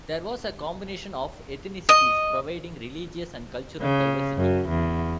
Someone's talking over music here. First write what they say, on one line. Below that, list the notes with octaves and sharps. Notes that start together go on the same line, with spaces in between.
There was a combination of ethnicities, providing religious and cultural diversity.
D#5
C#3
F#2
E2